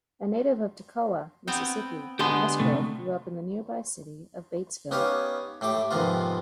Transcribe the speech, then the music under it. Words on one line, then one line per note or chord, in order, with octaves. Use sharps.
A native of Tocowa, Mississippi, Musgrove grew up in the nearby city of Batesville.
B3 C4 G5
D3 G#3 B3 G4 C6
C3 A3
B3 C#4 D#4 G4 C#5 F5
A2 A3 G4 D6
F2 G#2 C3 D#3 B3 F4